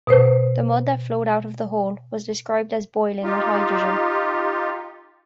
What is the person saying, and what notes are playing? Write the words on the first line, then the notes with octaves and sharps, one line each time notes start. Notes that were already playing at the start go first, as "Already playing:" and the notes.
The mud that flowed out of the hole was described as "boiling" with hydrogen.
B2 B4 C5
D#4 F4 G4